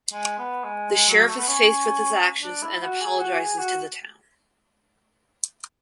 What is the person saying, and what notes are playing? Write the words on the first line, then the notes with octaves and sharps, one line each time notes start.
The sheriff is faced with his actions and apologizes to the town.
G#3
B3
G#3
G#3
F#3
A3
B3
C#4
D4
E4
F#4
G#4
F#4
G#4
F#4